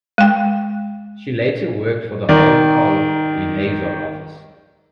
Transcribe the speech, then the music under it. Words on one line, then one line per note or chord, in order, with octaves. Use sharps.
She later worked for the Hong Kong Liaison Office.
G#3 G5
D#3 D5